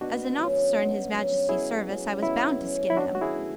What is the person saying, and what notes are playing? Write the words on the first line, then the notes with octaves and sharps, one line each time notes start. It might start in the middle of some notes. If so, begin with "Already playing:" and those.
As an officer in His Majesty's service, I was bound to skin him.
B2 D4 F#4
F#3 C#4
B2
F#3 C#4
B2 E4 G#4
F#3 C#4
B2 E4
F#3 C#4
E4
B2 D4 F#4
F#4
E4 G#4
A3 E4